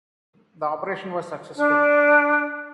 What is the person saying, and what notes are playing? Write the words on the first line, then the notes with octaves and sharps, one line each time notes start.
The operation was successful.
D4